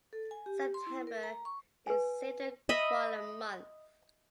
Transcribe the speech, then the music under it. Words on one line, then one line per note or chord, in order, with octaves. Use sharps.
September is Save the Koala Month.
A4
G#5
G4
C6
E4
A#4
A#5
C#6
B4 G#5
D#5 E5 B5